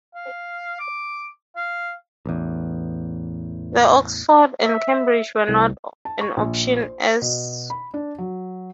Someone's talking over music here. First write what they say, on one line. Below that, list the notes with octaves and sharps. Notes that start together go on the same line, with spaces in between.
Oxford and Cambridge were not an option as Nonconformists were banned from these universities.
F5
D6
F5
A1 E2
E5
C2
A5
C#6
A#1
C5
B2
B5
D4
F#3